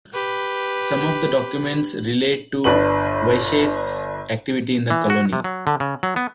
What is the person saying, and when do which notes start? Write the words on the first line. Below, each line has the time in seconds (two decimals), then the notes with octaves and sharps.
Some of the documents relate to Wyche's activity in the colony.
0.13 G4 B4
2.64 G1 D4 B4 F#7
4.90 E3
5.10 F#4
5.33 C3
5.44 F#3
5.67 D3
5.80 C#3
6.03 F#3
6.16 B3